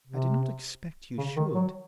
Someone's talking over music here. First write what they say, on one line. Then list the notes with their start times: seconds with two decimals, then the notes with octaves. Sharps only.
"I do not expect you should."
0.07 C3
1.18 C#3
1.37 D#3
1.55 F#3